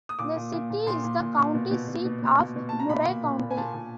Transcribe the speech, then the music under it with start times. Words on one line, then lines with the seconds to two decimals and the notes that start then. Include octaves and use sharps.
The city is the county seat of Murray County.
0.09 D#6
0.19 A#2 D6
0.36 A#2
0.53 A#2
0.70 A#2
0.86 A#2 C6
1.04 A#2
1.20 A#2
1.38 A#2
1.54 B2
1.71 B2
1.88 B2
2.05 B2
2.22 B2
2.39 B2
2.56 B2
2.69 B2 A5
2.79 A#5
2.89 A#2 B5
3.06 A#2
3.23 A#2
3.40 A#2
3.50 G#5
3.57 A#2 A5
3.74 A#2